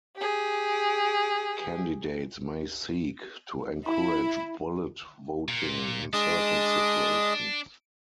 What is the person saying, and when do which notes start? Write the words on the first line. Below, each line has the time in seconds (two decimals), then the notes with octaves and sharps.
Candidates may seek to encourage bullet voting in certain situations.
0.17 G4 G#4
3.85 E4
5.48 A#2
6.13 G#3 D4 D#5 D#6